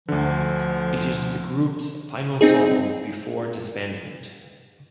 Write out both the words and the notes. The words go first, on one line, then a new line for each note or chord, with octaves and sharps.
It is the group’s final song before disbandment.
D2 D3 F3
C4 D#4 G#4